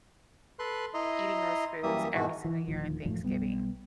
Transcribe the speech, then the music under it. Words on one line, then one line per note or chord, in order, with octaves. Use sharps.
eating those foods every single year on Thanksgiving.
A4 B4 C6 F#6
E4 D#5 A#5 C6
F#2 E3 G3 A#3 E5 D#6
G#2 B2 D#3 E3 F#4
E3
D#1 D2 D#3 F3
F#2 A2 F3 A3
B1 G3 B3